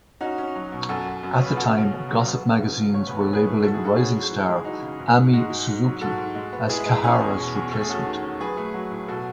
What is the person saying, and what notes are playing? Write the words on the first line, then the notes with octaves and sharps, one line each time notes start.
At that time, gossip magazines were labeling rising-star, Ami Suzuki, as Kahara's replacement.
C#4 D#4 F#4
C#4
F#3
B2
F#2 F#4 A4
F#2
F#2
C#5
C#3 B4
B2 F#4 A4
C#4
B2
F#3
B3
B3
C#3
C#3
A3 C#5
E2 B4
A4
C#4
G#4 B4
A3
G#2 F#4 A4
E4 G#4
D#3
F#4 A4
C#4 E4 G#4
F#3
E3
G#3
E3 D#4 F#4
C#3
G#2
G#2
G#3 D#4 F#4
G#3
G#2
F#3
G#2 F#4 A4
G#2
G#3
B3
G#3 E4 G#4
E4
G#3
E4
C#4 E4 G#4
E2
B2
E2
A3 A4
G#4
C#4 F#4 A4
D#3
C#4
F#3 G#4 B4
A3
F#3
A2
B2 F#4 A4